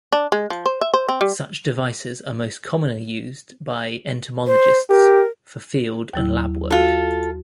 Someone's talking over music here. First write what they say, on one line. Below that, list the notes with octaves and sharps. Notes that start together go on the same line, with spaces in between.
Such devices are most commonly used by entomologists for field and lab work.
D4
G#3
F3
C5
E5
C5
C4
G3
C5
G4 A#4
D#2 F#3 E4
F4 F#4 A4